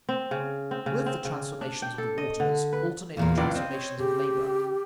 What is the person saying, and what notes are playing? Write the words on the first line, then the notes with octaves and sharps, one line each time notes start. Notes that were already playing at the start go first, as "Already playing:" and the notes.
With the transformations of the waters alternate the transformations of labor.
C4
C#3
C4
C#3
C4
C#3
D4
G5
A4
D#5
D3
B4
E2 A#2 A#3 F5
F#1 C#2 D5
C4 D#5
C#5
C#3 G4